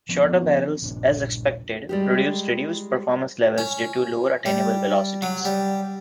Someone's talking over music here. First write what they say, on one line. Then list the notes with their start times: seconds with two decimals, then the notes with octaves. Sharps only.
Shorter barrels, as expected, produced reduced performance levels due to lower attainable velocities.
0.09 F3 B3 C4 D4
0.82 D#1 A#1 D4
1.89 G3 G#3 G4
3.58 C#4
4.46 G3
5.22 F#3
5.45 G3